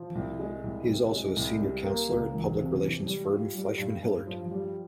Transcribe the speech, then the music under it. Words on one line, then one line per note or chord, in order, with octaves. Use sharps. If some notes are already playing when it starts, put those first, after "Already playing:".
He is also a senior counselor at public relations firm Fleishman-Hillard.
Already playing: F3
C2
G#3
C2
C2
G#3
C2
G3
A#3
C#2
E1
C3
E3
G3
F4
G3
G2
G2
F3
G3